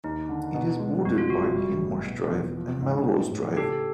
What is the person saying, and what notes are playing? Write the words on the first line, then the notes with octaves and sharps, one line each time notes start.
It is bordered by Hindmarsh Drive and Melrose Drive.
D#2 D#4
D3
B2
G#3
F2 F#4
F4
F#1 F#4
G3
A2
B2
E2
F3
G#2
B3
A2
C#3 G4 A4